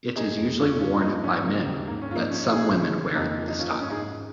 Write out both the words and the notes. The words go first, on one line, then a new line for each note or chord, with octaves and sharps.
It is usually worn by men, but some women wear the style.
D#3 D#4 G#4
F2
F2 C#4 F4
F3 C#4 F4
C#4
F3 A#3 D#4
G#2 C#4
C#3 A#3
D#2
G#2 A#3
C#4
G#2 F4
A#3 D#4
F3 C#4
F4
F3 D#4 G#4
D#4
C#3 C#4
C#3
F2 A#3 D#4
F3
D#4
D#3 C#4 F4
A#3 D#4
G#2 C#4
D#4 G#4
G#2